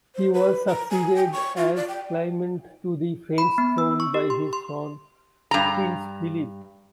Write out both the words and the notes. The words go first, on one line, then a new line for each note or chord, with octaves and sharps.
He was succeeded as claimant to the French throne by his son Prince Philippe.
C5
B4
A#5
G#5
G5
C#6
F4
D5
G5
B5
B3
E6
C#6
G4
C6
C6
G2 A#5